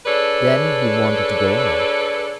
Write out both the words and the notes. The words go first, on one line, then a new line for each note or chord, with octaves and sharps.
Then he wanted to go on.
D4 G#4 A4 B4 C#5 D5